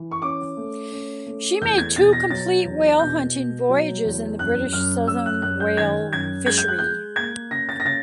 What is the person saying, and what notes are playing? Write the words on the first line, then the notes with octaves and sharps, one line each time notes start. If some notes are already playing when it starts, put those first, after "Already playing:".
She made two complete whale hunting voyages in the British Southern Whale Fishery.
Already playing: E3
C#6
C#4 D6
A3
C#4
A3
E2 G6
G#6
B2 A6
A#6
F#3 A6
E2
B2 G6
B2
F#3
E2
F#2 F#6
F#2 F6
F#2 E6
F#6
F#2 F#6
G6
D#3 G#6
F#2 G#6
G#3 G#6
G6
F#6
G#3 G6
A#3 G#6
C#3 A#6
A6
A#6
C#3 A6